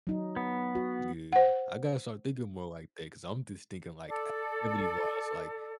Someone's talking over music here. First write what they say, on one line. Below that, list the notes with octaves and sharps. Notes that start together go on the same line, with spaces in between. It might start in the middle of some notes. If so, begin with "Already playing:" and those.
Yeah. I gotta start thinking more like that 'cause I'm just thinking, like, activity-wise. Like,
F#3 D#4
B3
F#4
C5 F#5
A4 D5